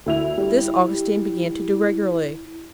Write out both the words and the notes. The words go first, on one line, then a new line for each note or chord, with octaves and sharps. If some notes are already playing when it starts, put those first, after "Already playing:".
This Augustine began to do regularly.
D2 E4 F7
G3 E4